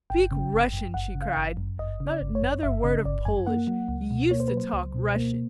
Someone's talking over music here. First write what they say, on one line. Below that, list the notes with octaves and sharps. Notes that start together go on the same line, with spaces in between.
Speak Russian!" she cried, "not another word of Polish! You used to talk Russian.
G1 G5
C#3
G1
F#2
G1 F#5
C#3
F5
G1
F#2
G1 D#5
C#3
D5
G1
C#5
F#2
G1 E5
C#3 D#5
G1 D5
F#2 G#5
A#3 F#5
F#3
C#2
B2
A#3 C#5
C5
B4
F#3
C5
C#2
B2
A#3